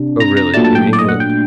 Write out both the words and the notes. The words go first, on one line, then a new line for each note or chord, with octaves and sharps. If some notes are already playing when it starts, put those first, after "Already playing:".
"Oh, really--in England?"
Already playing: C3 D4
A#5
A#5
A#2 F#3 A3 D4 A5
A5
G5
D5
D#5
F#5
G5